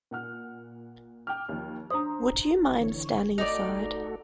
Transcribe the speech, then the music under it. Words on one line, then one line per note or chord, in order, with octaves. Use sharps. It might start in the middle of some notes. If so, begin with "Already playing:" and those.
Would you mind standing aside?
A#2 F#5 F6
G5 D6 F6
D#2 F3
D4 C5 A#5 D#6
D3 E3 C#5
A3 D#4 F#4 A4 D5